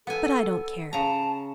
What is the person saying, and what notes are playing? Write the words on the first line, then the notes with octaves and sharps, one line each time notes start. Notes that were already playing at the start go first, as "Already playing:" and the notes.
But I don't care.
B3 A4 G#5
C#3 A5 A#5